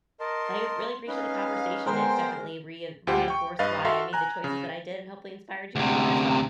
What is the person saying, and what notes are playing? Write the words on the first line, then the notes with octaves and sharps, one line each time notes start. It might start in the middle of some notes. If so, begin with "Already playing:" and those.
I really appreciate the conversation. It's definitely rein reinforced why I made the choices that I did and hopefully inspired you a little bit as well.
A#4 D#5 A5 C6
C#4 D#4 B4 F5
G#3 B3 A#4 C5 G5
D2 F4 G4 C5 F#5
G5 C#6
G2 B4 D#5 F5 A6
F#4 A4 E5 F5 C6
G#5 A#5 F#6
C#3
D2 C3